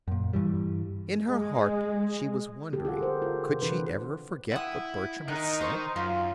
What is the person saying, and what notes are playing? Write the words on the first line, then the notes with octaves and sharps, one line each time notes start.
In her heart she was wondering: could she ever forget what Bertram had said?
F#2 A#2
G2 E3 G3
G#3
D3 G4 A4
F4 G#4 F#5
A#4 C5
F4
C3
E3 D4 B4
E4 F#5 D#6
D#3 D#4 F#6
C5 C#6
F#2 F4